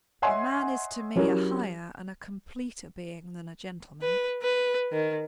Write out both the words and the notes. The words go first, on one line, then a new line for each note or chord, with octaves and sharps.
A man is to me a higher and a completer being than a gentleman.'
C#5 D#5 E5 F#5 G#5 C6
F#3 C#4 E4 G4 A#4
B4
B4
D#3